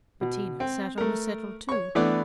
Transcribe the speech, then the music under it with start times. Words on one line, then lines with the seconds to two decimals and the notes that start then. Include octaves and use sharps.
Bettina sat on the settle, too.
0.21 B2
0.60 C4
0.98 A3 A#4
1.69 C#5 C#6
1.95 E3 A3 B3 D4 D5